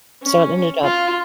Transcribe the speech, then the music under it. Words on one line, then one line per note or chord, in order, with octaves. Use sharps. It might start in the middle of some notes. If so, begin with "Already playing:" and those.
So it ended up
C#4
F4